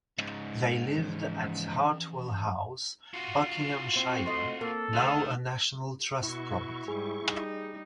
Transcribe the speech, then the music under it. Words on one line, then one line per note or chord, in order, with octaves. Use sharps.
They lived at Hartwell House, Buckinghamshire, now a National Trust property.
G#2 C#3
E3 F3 C#4
F4 F#4
C4
A3 D#5 C6
A#3 A4
D2 D#3 F5
B2 E4 F#4 C#6
G#2 G3 G#4
G3 D#4